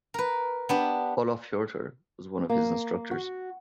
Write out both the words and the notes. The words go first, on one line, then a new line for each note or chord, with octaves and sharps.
Olof Hiorter was one of his instructors.
A#4 B4
B3 D4 G4
A#3
F#4